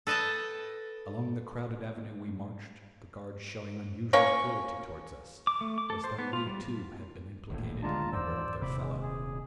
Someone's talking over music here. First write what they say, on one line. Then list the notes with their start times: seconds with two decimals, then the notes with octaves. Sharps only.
Along the crowded avenue we marched, the guards showing unusual cruelty toward us, as though we, too, had been implicated in the murder of their fellow.
0.07 A4 B4 D#5 G5 A5
4.13 A#3 C#4 C#5
5.47 D6
5.61 A3
5.78 D6
5.90 A4
6.04 C5
6.18 B3
6.33 F4
6.47 G3
7.50 D#1 A#1 A2
7.83 D3 G#3 D4 F4 A5 A#5
8.13 E2 G#2 C5 D5 E6
8.62 D#1 C3 B5 D6
8.80 G#3
9.02 G#4